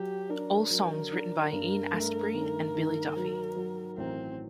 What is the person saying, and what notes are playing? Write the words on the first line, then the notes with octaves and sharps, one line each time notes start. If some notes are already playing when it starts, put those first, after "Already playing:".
All songs written by Ian Astbury and Billy Duffy.
Already playing: F#3 G4
D4 A#4
F#3 A#4
D4
G2
A3
D#3
D#3
F#3
F#3
A1 C4